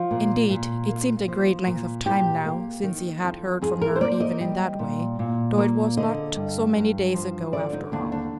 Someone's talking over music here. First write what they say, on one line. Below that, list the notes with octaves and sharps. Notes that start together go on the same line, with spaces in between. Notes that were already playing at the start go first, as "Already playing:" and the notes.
Indeed, it seemed a great length of time now since he had heard from her even in that way, though it was not so many days ago, after all.
Already playing: F3 F4
A#2
A#2
A#3
F3
A#2
A#2 G4
A#3
D#3
F2
F2 G#4
A#4
C5
A#3 D5
D#5
G3
A#2
A#2
A#3
D3 D#5
G2
G2
F3
D3 D5
D#4
D#2 D4
D4